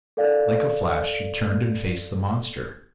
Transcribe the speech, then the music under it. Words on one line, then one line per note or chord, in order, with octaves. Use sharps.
Like a flash she turned and faced the monster.
A4 A#4 D5 F5